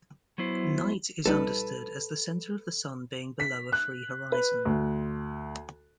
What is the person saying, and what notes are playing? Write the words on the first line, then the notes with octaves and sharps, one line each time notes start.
"Night" is understood as the center of the Sun being below a free horizon.
F#3 B3 E4 C5
A#1 G3 D#4 A4 B4
B6
F#6
B4
D2